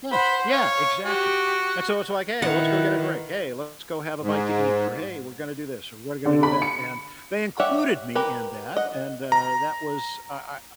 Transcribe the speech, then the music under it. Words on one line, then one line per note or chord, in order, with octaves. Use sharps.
Yeah, yeah, exactly, and so it's like, "Hey, let's go get a drink. Hey, let's go have a bite to eat," or, "Hey, we're gonna do this or we're going to do that," and they included me in that and, uh, that was I I
C5 F#5 B5
C#5 F5
F#4 G4
D#3 E4 B4 F#5
G#2
D3
B5
C#7
G4 C#5 D5 E5 F#5
G4 A#4 B4
D#5 F#5
A#5